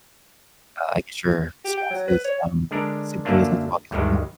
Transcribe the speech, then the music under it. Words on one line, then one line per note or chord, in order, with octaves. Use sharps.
uh I guess your spouse's, um, sibling doesn't talk as well,
G4
G5
F#3
B4
C#5
D3 G#3 D4 A#4
F#2 D3 F#3 A3 A#3 D4
D2 G2 D3 D#3 G3 G#3